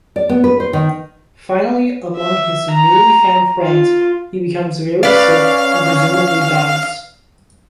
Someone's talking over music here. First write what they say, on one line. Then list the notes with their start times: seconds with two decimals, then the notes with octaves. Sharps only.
Finally, among his newly found friends he becomes very sick and presumably dies.
0.16 D5
0.29 B3
0.44 B4
0.60 C5
0.73 D#3
2.16 E5
2.70 A#5
3.62 F4
5.03 C#4 B4 D5 F5